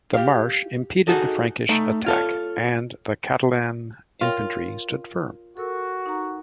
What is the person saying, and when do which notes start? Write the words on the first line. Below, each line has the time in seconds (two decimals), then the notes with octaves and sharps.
The marsh impeded the Frankish attack and the Catalan infantry stood firm.
0.14 G4 F5
1.07 D#4 F#4 G#4 A4 D#5
1.69 A3 D#4
2.06 F4 A4 C#5
4.21 F4 A#4 C#5 G5
5.57 F#4 A4 A#4 E6
6.06 D#4 F#5 A#5